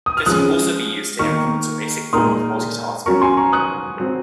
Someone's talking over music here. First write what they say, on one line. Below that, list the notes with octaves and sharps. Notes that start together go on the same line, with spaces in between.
This can also be used to implement a basic form of multitasking.
D#6
F6
F3 G#3 C#4 D#6 F#6
D#3 A#3 D#4 A#4 C#6 F6
A#2 G#3 D#4 A#4 C6 D#6
F#3 C#4 F#4 A#4 A#5 C#6
G#5 C6
A#5 C#6
D#6 F#6
F#3 C4